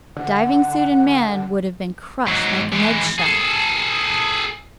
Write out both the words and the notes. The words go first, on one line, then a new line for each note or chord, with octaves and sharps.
Diving-suit and man would have been crushed like an egg-shell.
D3 F#5
G#2 F#3
E3 G#3
G#4 A4